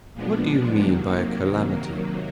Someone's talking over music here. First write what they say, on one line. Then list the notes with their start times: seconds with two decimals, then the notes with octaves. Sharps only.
What do you mean by a calamity?
0.14 A#2 F3 G#3 B3 D4
0.80 C3 D#3 F#3 A#3